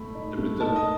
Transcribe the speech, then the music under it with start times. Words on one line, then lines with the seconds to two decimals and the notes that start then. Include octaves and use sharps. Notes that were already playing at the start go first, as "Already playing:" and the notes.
I meant the
Already playing: A3 A4 B5
0.15 D#4
0.38 A3
0.60 D#4 A5
0.76 D#5